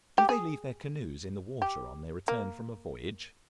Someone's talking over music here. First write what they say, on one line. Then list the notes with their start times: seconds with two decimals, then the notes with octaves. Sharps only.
Do they leave their canoes in the water on their return from a voyage?
0.18 G4
0.29 G#4
1.62 G4
2.28 A#3